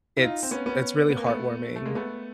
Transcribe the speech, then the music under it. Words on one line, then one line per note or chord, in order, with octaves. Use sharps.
it's it's really heartwarming.
E4
D#4 F4
C4
B3 C#4
B3 C#4
B3
A#3
A3 B3
A3
G#3 A#3
A3 B3